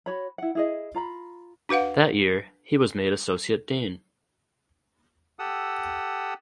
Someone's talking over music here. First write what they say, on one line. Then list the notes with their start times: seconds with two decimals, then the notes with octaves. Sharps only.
That year he was made Associate Dean.
0.06 F#4 C#5 B5
0.38 E4 F#5
0.55 E4 G#4 D#5
0.94 F4 A#5 B5
1.69 D4 F#4 B4 F5 F#5
5.39 G4 A4 F#5 D#6 E6